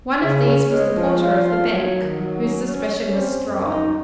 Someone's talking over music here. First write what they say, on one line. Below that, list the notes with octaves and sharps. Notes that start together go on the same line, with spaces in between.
One of these was the porter of the bank, whose suspicion was strong.
C#3
C#4
G#3
F3
F4
F4
F#3
D#3
F#3
C#4
C#4
C#4
C4
F#2
D#4